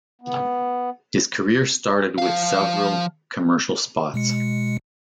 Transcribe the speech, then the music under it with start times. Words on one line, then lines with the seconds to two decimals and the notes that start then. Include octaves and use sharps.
His career started with several commercial spots.
0.21 B3
2.18 F3 F5
4.14 B2 G#3 C#7